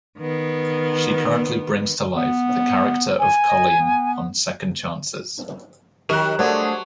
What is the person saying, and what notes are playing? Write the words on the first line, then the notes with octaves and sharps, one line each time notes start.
She currently brings to life the character of Colleen on "Second Chances".
D#3 B3
B3
G#5
D#5
B3
D#3 F#3 G4 A#4 D#5 F#6 E7
D3 F#3 A3 G4 G#4 A#4 C5 A5